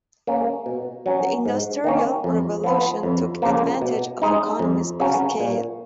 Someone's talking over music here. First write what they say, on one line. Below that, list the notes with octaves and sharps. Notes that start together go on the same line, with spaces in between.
The industrial revolution took advantage of economies of scale.
A#3 C#4
B2
F#3 C#4
G#2
D#3 A#3 C#4
F2
F3 B3
F2
C#3 F3 A#3
B2
G#3 D#4
F2
C#3 F#3 C#4
A#2